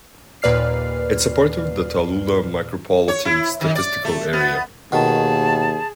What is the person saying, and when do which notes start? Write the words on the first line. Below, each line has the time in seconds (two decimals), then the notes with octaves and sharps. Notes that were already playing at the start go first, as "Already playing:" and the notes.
It is part of the Tallulah Micropolitan Statistical Area.
0.42 D#2 A#2 B4 D5 F6 C7
3.08 C#5
3.25 E4
3.61 D#3
3.76 D5
4.05 A3
4.33 B3
4.92 D#2 B2 D#3 G#4 A5